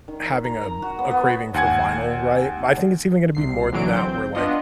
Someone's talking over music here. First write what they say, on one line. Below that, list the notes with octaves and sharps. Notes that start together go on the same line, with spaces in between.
having a a craving for vinyl, right? But I think it's even gonna be more than that where, like,
D#3
A#5
A#5
F#4
B3
B3
D#2 F#5 G#5 G#6
C2 C7
B1 D3 E3 F#3 D7
C4 G6
B3 D4 F4 D#5